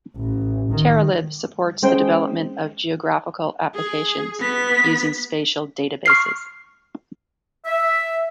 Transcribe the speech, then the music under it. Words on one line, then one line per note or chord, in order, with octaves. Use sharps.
TerraLib supports the development of geographical applications using spatial databases.
A1
D#3
G#3 C#4 C5 G5
G#4
B3 B6
C#6 F6 C7
E5